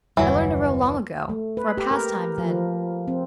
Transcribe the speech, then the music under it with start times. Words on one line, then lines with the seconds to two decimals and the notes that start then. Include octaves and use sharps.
I learned to row long ago--for a pastime then.
0.17 F#1 D#2 E3 F#3 G3
1.29 A3
1.57 B4
1.77 G4
1.91 A#4
2.38 F3
3.08 C4